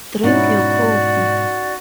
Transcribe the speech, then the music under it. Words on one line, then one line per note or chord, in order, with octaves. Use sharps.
Drink your coffee.
G#2 B2 C#4 D#4 E4 F#4 D5